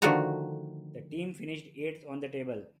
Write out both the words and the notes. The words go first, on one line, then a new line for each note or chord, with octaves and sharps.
The team finished eighth on the table.
D3 D#3 F3 A3 F#4 A#5